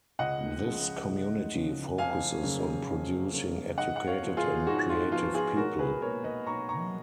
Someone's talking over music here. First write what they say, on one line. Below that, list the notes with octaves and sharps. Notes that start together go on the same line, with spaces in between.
This community focuses on producing educated and creative people.
C#2 D#5 F#5
C#3 F3 G#3 C#4
C#2
C#3 F3 G#3 C#4
F2 F5 G#5
C#3 F#3 A#3 C#4
F2
C#3 F#3 A#3 C#4
G#2 D#5 F#5
F#5
C#5 F5
F3 B3
F4 G#4
G#2 D#4 F#4
F4
F3 B3 F4
F4 G#4
B1 F#4 A#4
G#4 B4
A#2 G#3 B3 A#4 C#5
B4 D#5
B1 A#5 C#6
A#5 C#6